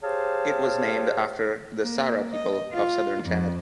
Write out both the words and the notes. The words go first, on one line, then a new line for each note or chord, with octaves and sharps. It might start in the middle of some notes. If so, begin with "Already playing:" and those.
It was named after the Sara people of southern Chad.
G4 G#4 C5 C#5 F5 A5
A#3
D#5
F4
F2